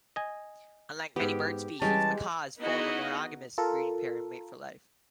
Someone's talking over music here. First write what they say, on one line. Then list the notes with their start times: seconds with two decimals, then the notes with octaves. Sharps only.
Unlike many bird species, macaws form a monogamous breeding pair and mate for life.
0.16 D#5 G#5
1.16 G#2 B3 G4
1.82 E3 G3 G#3 C#4 G4 G#4 A5
2.60 B3 D#4 E4 F#4 G#4 D#5
3.58 F4 A4 A#4